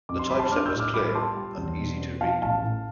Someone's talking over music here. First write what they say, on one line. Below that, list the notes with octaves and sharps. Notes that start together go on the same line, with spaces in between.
The typeset was clear and easy to read.
F2 D6
C6
G3 B5
A5 C6
D4 D6 F6
E6 G6
A2
D6 F6
G3 B5 D6
D6
F4 A5 C6
G3
E2
B2
B3
F3 F5 A5
A1 F5 A5
A2